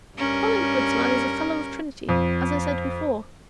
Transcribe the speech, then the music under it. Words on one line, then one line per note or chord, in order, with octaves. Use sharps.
"Hollingford's man is a Fellow of Trinity, as I said before."
G2 C#4 A#4
F2